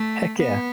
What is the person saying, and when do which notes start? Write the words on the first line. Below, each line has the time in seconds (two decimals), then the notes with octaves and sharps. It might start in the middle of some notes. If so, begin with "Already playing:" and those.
Heck yeah!
Already playing: A3
0.39 B3